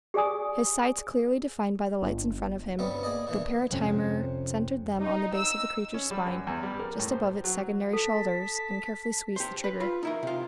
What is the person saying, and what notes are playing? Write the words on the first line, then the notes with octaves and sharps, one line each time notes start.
His sights clearly defined by the lights in front of him, the paratimer centered them on the base of the creature's spine, just above its secondary shoulders, and carefully squeezed the trigger.
G4 G#4 D5 G#5 D#6
G1
D2 G2 C3 G3 B3 C#4
A#3 G#4 D5 D#5
A#2 E3 D4
F2 C3 C#4
D#4
E6
C#4
G3
F#2
E2
G3
A#4
A2
C5
F#3
A4 A5 B6
G4 C5
B4
F4 B5
D#4 E4 A#4
C3 F4